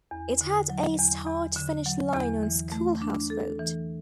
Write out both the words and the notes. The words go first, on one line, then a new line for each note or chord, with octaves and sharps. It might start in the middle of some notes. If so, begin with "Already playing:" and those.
It had a start-finish line on Schoolhouse Road.
E2
D3
F#3
E2
E2
D3
F#3
E2
E3
A3
D4
A4
E3